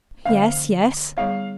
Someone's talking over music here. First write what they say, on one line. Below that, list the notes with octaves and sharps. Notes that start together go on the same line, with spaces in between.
"Yes, yes!"
D3 F3 A#3 C#4 F5
G3 B3 D#4 G#4 C#5 F5